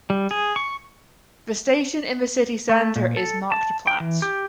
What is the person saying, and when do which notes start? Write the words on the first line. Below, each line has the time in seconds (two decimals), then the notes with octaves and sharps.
The station in the city center is "Marktplatz".
0.10 G3
0.31 G#4
0.56 C#6
2.69 A3
2.96 A#2
3.17 A4
3.52 A5
3.87 G5
4.00 E3
4.22 G4